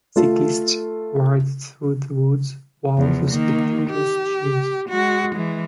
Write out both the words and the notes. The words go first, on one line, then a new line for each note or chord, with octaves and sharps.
Cyclists ride through the woods while the spectators cheer.
A3 F4 A4
E2 F3
D#3 A#3
G4
G#3 F#4
E3 G#3